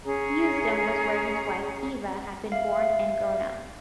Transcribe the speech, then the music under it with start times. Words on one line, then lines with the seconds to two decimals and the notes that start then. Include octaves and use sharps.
Usedom was where his wife Eva had been born and grown up.
0.04 C#4 G#4 C#5 A#5
2.52 E5 F5